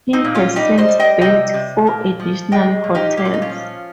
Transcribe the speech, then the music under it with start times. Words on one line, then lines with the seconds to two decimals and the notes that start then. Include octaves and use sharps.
He has since built four additional hotels.
0.13 C4 D#4
0.25 A#2
0.35 C#4 F4
0.56 G3 D#4 G4
0.78 C5 D#5
0.88 G3
0.99 D#5 G5
1.21 C3 D#5 G5
1.54 C3
1.87 A#2
2.20 F3
2.52 G#3 D#5 G5
2.84 A#2
2.95 D#4 G4
3.17 A#2 G4
3.25 F4
3.34 D#4
3.42 C#4 F4
3.49 F3